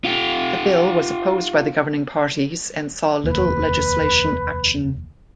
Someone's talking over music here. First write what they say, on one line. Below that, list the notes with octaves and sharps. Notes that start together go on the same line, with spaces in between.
The bill was opposed by the governing parties and saw little legislation action.
F4 G4
F1 D#2 B4